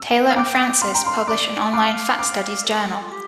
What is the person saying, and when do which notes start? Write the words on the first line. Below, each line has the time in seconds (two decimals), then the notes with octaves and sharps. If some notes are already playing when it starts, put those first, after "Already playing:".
Taylor and Francis publish an online Fat Studies journal.
Already playing: E6
0.30 F5
0.36 G5 D6
0.82 F5 C6
0.93 G5 A#5
1.04 F5 C6
1.27 D5 D6
1.66 E5
1.73 F5 D6
2.19 D6
2.65 A4
3.01 F4
3.11 G4